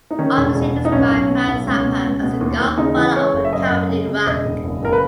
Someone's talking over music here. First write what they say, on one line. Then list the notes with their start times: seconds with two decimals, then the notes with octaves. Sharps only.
Allmusic described Frank Zappa as the "godfather" of comedy rock.
0.11 D#4
0.19 D#3 C#4
0.37 E1
0.55 E1
0.73 E1
0.85 D#4
0.92 B1 C#4
1.11 B1
1.29 B2
1.47 B1
1.67 C#2 C#4
1.86 B2
2.04 C#2
2.23 B2
2.41 D#2
2.60 D#2
2.77 C#3 D#4
2.96 E3
3.15 C#3 C#5
3.33 F#1
3.45 E5
3.53 F#2 D#5
3.70 F#2
3.89 C#3
4.07 C#3
4.26 E1 D#5
4.45 E1
4.64 F#1
4.83 F#1 A#4
4.93 B4